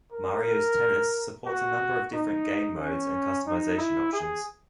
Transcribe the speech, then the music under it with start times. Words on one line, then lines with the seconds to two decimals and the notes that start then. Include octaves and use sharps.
"Mario's Tennis" supports a number of different game modes and customization options.
0.12 A#4
1.46 F#4
2.13 D#4
2.80 C#4
3.46 D#4
3.78 E4
4.13 G#4